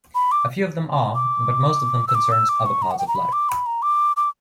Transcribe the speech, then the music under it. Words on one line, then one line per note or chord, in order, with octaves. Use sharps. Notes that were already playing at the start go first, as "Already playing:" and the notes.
A few of them are, but most of them concerns other parts of life.
B5
D6
D6
E6
D6
E6
D6
C#6
A#5
F#5
G5
A#5
B5
D6
B5
A#5
D6
D6